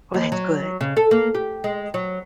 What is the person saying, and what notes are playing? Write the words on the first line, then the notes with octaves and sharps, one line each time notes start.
Oh, that's good.
D#2
F#3
C#3
A4
A#3
G4
G#3
F#3